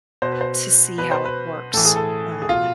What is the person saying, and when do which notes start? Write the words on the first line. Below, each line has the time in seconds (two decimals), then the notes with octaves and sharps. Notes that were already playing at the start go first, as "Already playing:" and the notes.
to see how it works, um
0.22 B2 C5
0.32 B4
0.41 C5
0.98 B2 B4
1.11 C5
1.25 B4
1.73 A2 E3 A4
1.85 G#4
1.96 A4
2.42 G#4
2.49 B2 F4